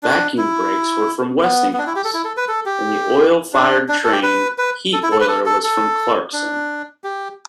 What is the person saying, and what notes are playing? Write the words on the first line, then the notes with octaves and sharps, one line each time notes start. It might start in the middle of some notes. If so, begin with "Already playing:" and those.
Vacuum brakes were from Westinghouse, and the oil-fired train heat boiler was from Clarkson.
D4
E4
B3
B3
D4
E4
G4
A4
E4
A4
B4
A4
G4
D4
D4
A4
G4
B4
B4
A4
E4
A4
B4
A4
A4
A4
D4
G4